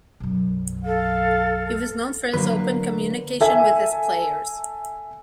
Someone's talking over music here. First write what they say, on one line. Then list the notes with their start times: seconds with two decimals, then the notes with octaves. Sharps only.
He was known for his open communication with his players.
0.20 B1 F#2
0.85 A4 F5
2.34 D3 F#3 A#3 B4
3.41 A4 E5 G#5